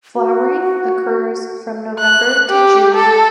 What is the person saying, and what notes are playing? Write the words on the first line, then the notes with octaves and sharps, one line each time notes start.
Flowering occurs from November to June.
F#4
F#6
G4
A4